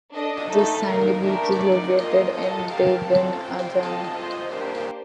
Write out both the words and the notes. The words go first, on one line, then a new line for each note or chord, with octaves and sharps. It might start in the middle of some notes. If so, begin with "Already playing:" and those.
This sandy beach is located in Bagan Ajam.
D4 A4 D#5
A3 D#4 A4
A#3 D#4 A#4
A3 D4 G4 A#4
D#4 A#4 D5
A#3 F4 C5 D#5
F4 A4 D#5
G4 A#4 F5 A5
C4 F4 A4
C4 F4 C5 G5
C4 F4 A4 D#5 A5
F4 C5 D#5
A#3 D4 G4 C5